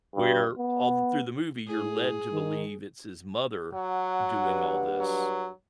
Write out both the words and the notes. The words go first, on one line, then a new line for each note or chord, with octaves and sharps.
Where all th through the movie, you're led to believe it's his mother doing all this
G2
B3
A2 G#4
D#3
F#3 F#5
G2
F#3